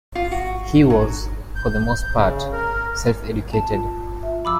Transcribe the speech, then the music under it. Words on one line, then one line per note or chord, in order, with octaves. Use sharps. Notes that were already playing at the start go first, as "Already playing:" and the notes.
He was, for the most part, self-educated.
F4
F#4
F#3
G6
C#3
A#4
A5
F4
F4 E5
F#2 F3 B5 D6 E6